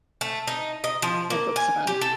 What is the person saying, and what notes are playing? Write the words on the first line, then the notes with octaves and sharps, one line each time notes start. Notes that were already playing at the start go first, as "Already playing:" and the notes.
I read books about it.
A3
D#4
D#5
F3
A#3
G#5
G4
A4